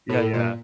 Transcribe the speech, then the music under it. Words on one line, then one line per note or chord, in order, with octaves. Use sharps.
yeah yeah
A2
A#2